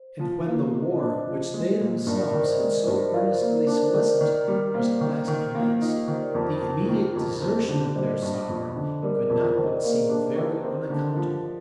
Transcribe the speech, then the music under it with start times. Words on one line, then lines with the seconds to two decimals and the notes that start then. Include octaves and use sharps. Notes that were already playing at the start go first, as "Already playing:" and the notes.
And when the war which they themselves had so earnestly solicited, was at last commenced, the immediate desertion of their sovereign could not but seem very unaccountable.
Already playing: C5
0.20 F3
0.39 D#4
0.46 A#3 F4
0.64 F4
0.74 C3
0.82 C5 D#5
1.00 D4
1.27 F3
1.54 G#3
1.81 A#2
2.07 G2 A#4 D5
2.25 A#4 D5
2.34 D#3
2.43 C5 D#5
2.60 G#3 A#4 D5
2.87 G2
2.96 C5
3.14 F4 A#4 D5
3.32 C5
3.41 A#3
3.50 A#4
3.67 D4 A#4
3.81 C5
3.94 D#3 A#4 D5
4.07 C5 D#5
4.21 D#3 A#4 D5
4.48 G3
4.74 A#3 C5
5.01 D#3
5.28 D#3
5.55 A#3
5.81 D#4 F4
5.95 G4
6.08 D#3 C5
6.22 A#4 D5
6.35 F2 C5
6.48 A#4
6.62 C3
6.76 D#4
6.89 D#3 F4
7.06 F4
7.16 F2
7.24 G4
7.42 C4 G4
7.69 D3
7.95 G3 C5 D#5
8.22 G2
8.49 F2
8.76 D3
9.02 G3 A#4 D5
9.16 G#4
9.29 F2 A#4
9.43 F4
9.56 D#3 C5 D#5
9.74 A#4 D5
9.84 A#3
9.92 G#4
10.09 D4 G4
10.36 D#3
10.64 C4
10.90 D3
11.16 F3